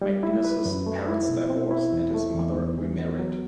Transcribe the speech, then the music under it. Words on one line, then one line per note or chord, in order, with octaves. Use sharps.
MacInnes's parents divorced and his mother remarried.
G3
E4
B4
F#2
A3
E4
B2
C4
E4
E2
A3
E2
E2
E3
B3
F#3